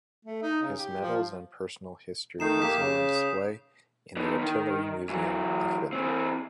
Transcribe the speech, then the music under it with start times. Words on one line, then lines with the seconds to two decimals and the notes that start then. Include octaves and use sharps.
His medals and personal history is on display in The Artillery Museum of Finland.
0.25 A3
0.43 D#4
0.62 C#3
0.77 G4
1.01 F3
2.40 D#3 A3 D#4 G6 C7 E7
2.62 A#3 G4 D#6 B6 E7
2.78 C#3
3.16 D#6
4.17 B3 D#4
4.41 D#3
5.10 E3 F#3
5.93 E3 C4